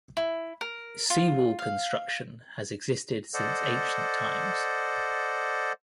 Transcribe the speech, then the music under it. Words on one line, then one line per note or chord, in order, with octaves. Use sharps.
Seawall construction has existed since ancient times.
E4
A#4
F4
F5
A4 C5 D5 D#5 F#5